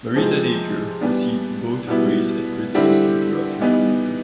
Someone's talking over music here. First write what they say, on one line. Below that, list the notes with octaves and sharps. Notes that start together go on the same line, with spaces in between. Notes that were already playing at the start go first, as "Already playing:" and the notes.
Marita Napier received both praise and criticism throughout her career.
C3 F3 G#3 C4
E3 G3 B3 D4
B2 G3 B3 E4
D3 G3 C4 E4
E3 G3 B3 D#4